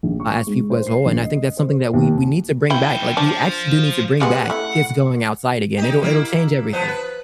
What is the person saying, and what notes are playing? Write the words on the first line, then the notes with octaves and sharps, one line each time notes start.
uh, as people as a whole, and I think that's something that we we need to bring back, like we actually do need to bring back kids going outside again. It'll it'll change everything.
A#1
C#6
G#2
C5
C7
A#1
D#5
C5
D#2
G#2 E4 G5
F3 D4
G3 G#3 B3 F#5
A3 E4
D#4 G4
A#3 E4
F3 B3 C5
B4